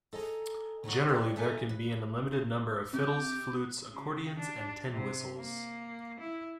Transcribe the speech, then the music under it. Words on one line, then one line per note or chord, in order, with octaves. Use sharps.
Generally there can be an unlimited number of fiddles, flutes, accordions and tin whistles.
A4 D#5 G#5 A#5
D3 D#4 F4 F#4
A4 C5 D5 G5
A4 E5 G#5 A#5
B4
C3 G4
C#3
D4
C3
A#3
E4